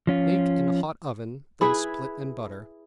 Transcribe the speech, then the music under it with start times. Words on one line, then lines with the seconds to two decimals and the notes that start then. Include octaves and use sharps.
Bake in a hot oven, then split and butter.
0.07 F3 C#4 F4
1.61 E4 G#4 B4